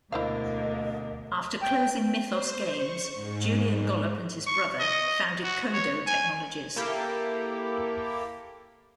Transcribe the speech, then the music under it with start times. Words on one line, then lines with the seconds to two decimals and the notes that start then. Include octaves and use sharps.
After closing Mythos Games, Julian Gollop and his brother founded Codo Technologies.
0.12 D2 B2 D3 A#3 E4 C5 D#5 F5
1.62 G5
2.23 C5
2.72 C#6
3.14 G#2
4.47 C#6
4.80 D#5
5.44 F#4
5.73 C#5
6.07 G#5
6.76 A#3 E4 G4 A4